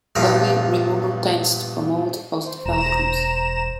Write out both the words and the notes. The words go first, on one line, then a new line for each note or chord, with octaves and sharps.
Early removal tends to promote positive outcomes.
E2 G2 A#2 F3 A#4 B5
C5
E1 A#5 E7